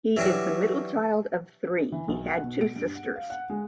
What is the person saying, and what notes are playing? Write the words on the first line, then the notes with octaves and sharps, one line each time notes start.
He is the middle child of three; he had two sisters.
E3 F#3 G3 D4 F#4
E3
B1
F#5
B2
D7
G2
F#5
F5
F#5
G#3